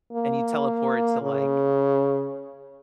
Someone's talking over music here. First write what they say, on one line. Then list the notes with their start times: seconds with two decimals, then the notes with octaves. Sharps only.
and you teleport to, like
0.13 A#3
1.22 C#3